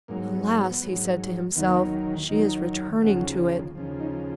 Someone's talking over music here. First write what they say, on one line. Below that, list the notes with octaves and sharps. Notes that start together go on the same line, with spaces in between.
"Alas!" he said to himself, "she is returning to it."
G#2 F#3 A#3
B3
B3
G#2 F#3
D#2 D#3 F#3 B3
D#2 D#3 F#3 D#4
D#2 C#3 F3 F#4
D#2 C#3 F3
D#4